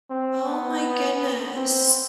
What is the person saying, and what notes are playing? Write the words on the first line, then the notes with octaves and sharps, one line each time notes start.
Oh my goodness.
C4
B3
C4